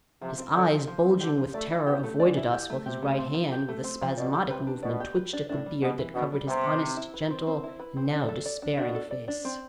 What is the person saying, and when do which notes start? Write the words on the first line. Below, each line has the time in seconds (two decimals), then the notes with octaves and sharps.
His eyes, bulging with terror, avoided us, while his right hand, with a spasmodic movement, twitched at the beard that covered his honest, gentle, and now despairing face.
0.22 C3 F3
0.38 C4
0.55 D3 G4
0.72 F3
0.88 F3
1.04 C4
1.20 D3 G4
1.37 F3
1.54 A3 D5
1.70 E4
1.87 B3 G4
2.03 A3
2.20 E3 D5
2.37 E4
2.53 G4
2.70 A3
2.86 C3 G4
3.02 A3
3.18 C4
3.34 F3
3.52 G4
3.68 A3
3.84 C4
4.01 F3
4.18 B2 D5
4.34 G4
4.50 C3 B4
4.67 D4
4.83 B2 D5
5.00 G4
5.16 B4
5.33 D4
5.49 A2 D4
5.66 G3
5.81 B2 B3
5.99 E3
6.15 B2 D4
6.32 G3
6.48 C3 B3
6.65 E3
6.80 C4
6.97 E4
7.14 B4
7.30 C4
7.47 C4
7.64 E4
7.79 B4
7.97 C4
8.13 D4
8.29 A4
8.45 D5
8.62 D4
8.78 B2 D4
8.95 A4
9.11 D5
9.28 D4
9.45 C4